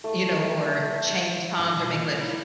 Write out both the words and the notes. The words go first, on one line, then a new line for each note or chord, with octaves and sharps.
you know, or change times or make like
A3
F4
B2 G3
A#3
G3 D#4 E4